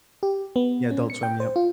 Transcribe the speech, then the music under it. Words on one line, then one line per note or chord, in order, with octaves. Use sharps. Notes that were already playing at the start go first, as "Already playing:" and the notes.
Yeah, Adult Swim, yep.
G4
B3
C#4
C#7
G5
C5
F4